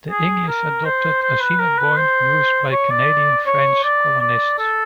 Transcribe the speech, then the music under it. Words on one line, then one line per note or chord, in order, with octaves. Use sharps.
The English adopted "Assiniboine," used by the Canadian French colonists.
G#4
A#4
C5
C5
B4
A#4
B4
C5
C#5
D5
C#5
D5
D5
A4